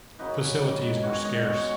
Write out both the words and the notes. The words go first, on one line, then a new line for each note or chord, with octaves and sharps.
Facilities were scarce.
F#2 C#3 F#3 D#4 B4 D#5
G#2 D#3 F#3
G#5
D#3 G#3 B3 C#5 F#5
D#5 G#5
B2 G#3 C#4 C#5 F#5
C#5 F#5